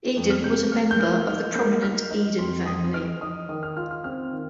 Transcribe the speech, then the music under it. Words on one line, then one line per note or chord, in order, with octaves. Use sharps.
Eden was a member of the prominent Eden family.
F2
F6
C3 G6
A#3 F6
G6
A#3 F6
D#4 F6
A#3 G6
D#4 F6
D#4 F6
F2 C6
F2 D#6
D#4 F6
D#4 D#6
D#3 D#6
F6
F4 F6
F6
C4 F6
D#3